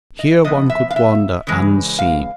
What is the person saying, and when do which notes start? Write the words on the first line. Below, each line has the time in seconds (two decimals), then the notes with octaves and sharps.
Here one could wander unseen.
0.19 D#5
0.44 C3 F3 B3 D#5
0.70 E5
0.91 F5
0.96 E5
1.47 C#3 E3 G#3
1.99 F5